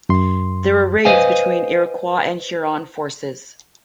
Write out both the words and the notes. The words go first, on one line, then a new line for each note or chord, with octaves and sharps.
There were raids between Iroquois and Huron forces.
F#2 C6
B4 C5 D#5 F5 G#5